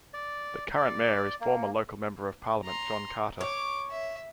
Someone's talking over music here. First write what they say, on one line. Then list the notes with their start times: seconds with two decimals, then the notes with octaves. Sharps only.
The current mayor is former local Member of Parliament John Carter.
0.14 D5
0.76 D5
1.41 A#3
2.65 A#5 C6
3.41 C#5 D6
3.91 E5